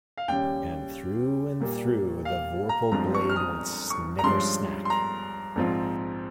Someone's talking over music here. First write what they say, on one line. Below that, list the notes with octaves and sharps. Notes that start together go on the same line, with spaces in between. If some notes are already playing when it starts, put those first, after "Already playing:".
And through and through the vorpal blade went snicker-snack!
F5
D#2 C#3 G3 C#4 G5
A#2 G3 A#3
F5
A#5
G1 G2 F3 G#3 C4 A#5
C#6
F6
D#6
C#6
A#5
G2 F3 G#3 C#4 C6
C6
A#5
A#1 G#2 F3 C4 F4